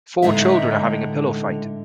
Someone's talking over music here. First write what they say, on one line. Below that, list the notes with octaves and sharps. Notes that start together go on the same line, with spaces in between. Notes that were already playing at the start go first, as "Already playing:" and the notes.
Four children are having a pillow fight.
A2 D3 G#3 D#4 D#5 E5